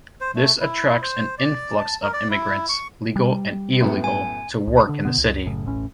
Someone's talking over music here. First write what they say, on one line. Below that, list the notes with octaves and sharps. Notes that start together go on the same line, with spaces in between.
This attracts an influx of immigrants, legal and illegal, to work in the city.
C5
A3
E4
C5
D5
A5
A#4
D5
E4
C#6
G3
F#2 A2 B3
G#5
C#2
D3 D4
B2 D3 B3
C#2
F#1 F#2 A2 C#3
E1 A1 A2 C#4